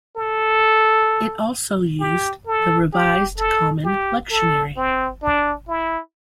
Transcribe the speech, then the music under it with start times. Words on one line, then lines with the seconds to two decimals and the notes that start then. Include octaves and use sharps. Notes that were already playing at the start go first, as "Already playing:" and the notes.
It also used the Revised Common Lectionary.
0.16 A4
2.00 G4
2.47 A4
2.93 G4
3.38 A4
3.84 G4
4.31 A4
4.77 C4
5.22 D4
5.68 E4